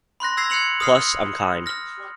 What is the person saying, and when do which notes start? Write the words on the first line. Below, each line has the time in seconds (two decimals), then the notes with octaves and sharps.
Plus I'm kind.
0.20 B5 C6 F#6 A#6
0.37 E6 G#6 A#6 C7 F7
0.50 F#6 G#6 C7 C#7 F7 F#7
0.80 D#6 F6 C7
0.95 F6
1.66 F6 A#6